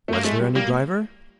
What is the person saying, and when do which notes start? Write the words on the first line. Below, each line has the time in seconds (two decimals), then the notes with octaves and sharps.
Was there any driver?
0.08 A3
0.13 A#3
0.24 G#3 A3
0.40 G3
0.55 G3 A#3